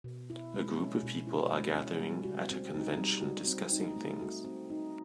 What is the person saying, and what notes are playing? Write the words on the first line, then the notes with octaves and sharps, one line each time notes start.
A group of people are gathering at a convention discussing things.
B2
E4
G#3
C#4
B2
E4
G#3
C#4
G3
F#4
C4
D#4
G3
F#4
C4
D#4
A3
F#4
C4
D#4